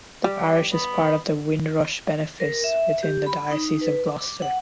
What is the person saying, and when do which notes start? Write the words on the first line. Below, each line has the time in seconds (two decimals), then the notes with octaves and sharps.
The parish is part of the Windrush benefice within the Diocese of Gloucester.
0.24 G3 G4
0.71 B3
2.40 A#4
2.64 E5
3.03 G4
3.26 B5
3.51 D#4
3.81 B4
4.08 D6
4.42 F#5